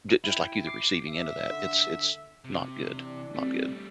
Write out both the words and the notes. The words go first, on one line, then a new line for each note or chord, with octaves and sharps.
ju just like you, the receiving end of that, it's it's not good, not good.
E4 G5
D6 C7
E5
D3
C3
E3 D4
G3 A3 C4